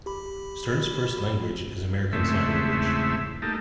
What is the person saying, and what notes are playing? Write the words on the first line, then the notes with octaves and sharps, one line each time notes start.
Stern's first language is American Sign Language.
G4 B5
E2 G#2 C#3 A3 C4 E5
A3 A#3 D#4 G4 A4